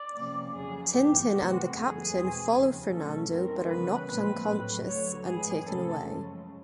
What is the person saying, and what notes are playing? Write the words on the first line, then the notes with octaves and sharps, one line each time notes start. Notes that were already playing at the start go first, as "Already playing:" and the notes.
Tintin and the Captain follow Fernando but are knocked unconscious and taken away.
Already playing: D5
C3 F3 A#3 C#4
F2 C#3 F#3 G#4
G#2 E3 G#3 B3 G4
C3 E3 A3 C4 F#4
F2 D3 G3 B3 G#4
E2 B2 G#3 C4
D#2 C#3 F3
B2 F#3 A3 C#4 A4
F#2 D#3 G#3 C4 A#4
C#3 E3 G3 B3 B4
A#2 F3 G#3 C4 B4
A2 F#3 A3
D2 D3 F#3 C#5
G#2 F3 G#3 B3 G#4
F2 C3 E3 A3 C#4 A4
F#2 C#3 F3 G#3